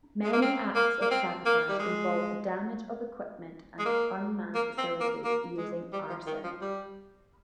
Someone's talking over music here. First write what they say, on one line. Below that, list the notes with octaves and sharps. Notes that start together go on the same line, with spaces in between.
Many acts of sabotage involve the damage of equipment and unmanned facilities using arson.
G#3
A#3
C4
A#3
A#3
C4
A#3
G3
G#3
G#3
A#3
A#3
C4
A#3
A#3
G#3
G3
F3
D#3
F3
G3